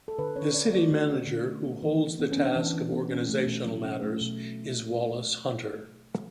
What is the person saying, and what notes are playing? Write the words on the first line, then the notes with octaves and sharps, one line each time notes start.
The city manager, who holds the task of organizational matters, is Wallace Hunter.
A4
D3 B4
C#4 C#5
D3 D5
A3 D5
D3 F#4
C#4
D3
A3
B3
E3
E3
B3
C#4
B3 D4
E3
E3
B3
C#4
A3
B2
F#3
C#4
A3
B2